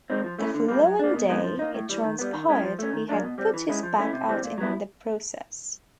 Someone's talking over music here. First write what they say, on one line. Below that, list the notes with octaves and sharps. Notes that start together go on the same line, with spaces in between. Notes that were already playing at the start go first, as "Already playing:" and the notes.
The following day it transpired he had put his back out in the process.
G#3 C4 D#4
F3
A3 C#4 E4
D3
G3 A#3
F#3
A#3 D4
B2
G#3 B3 D#4
F3
A#3 D#4
A2
E3 G3
D#3
G3 B3
D#3
G#3 C#4 E4
F3
A3 C#4
D#3
F#3 A#3 D4
B2
G3 C4
E3
G#3 C#4 E4
F3
A3 C#4 E4
C3
E3 G3 C4
A#2
F#3 B3 E4